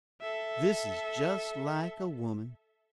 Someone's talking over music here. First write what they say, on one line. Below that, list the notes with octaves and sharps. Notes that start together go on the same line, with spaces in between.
This is just like a woman.
A4 E5